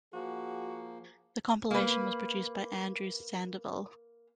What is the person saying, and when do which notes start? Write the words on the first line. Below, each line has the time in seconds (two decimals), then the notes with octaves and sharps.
The compilation was produced by Andrew Sandoval.
0.13 F3 A#3 F#4 G#4
1.71 A#3 B4